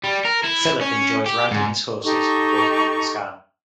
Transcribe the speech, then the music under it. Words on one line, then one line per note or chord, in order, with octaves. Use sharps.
Philip enjoys riding his horses and working in his garden.
G3
A#4
E4
C#4
G4
G#2
D#4 G4 A4 C#6